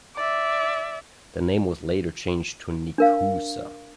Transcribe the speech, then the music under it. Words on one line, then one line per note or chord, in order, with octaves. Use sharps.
The name was later changed to Nekoosa.
D5 E5
D4 A#4 F5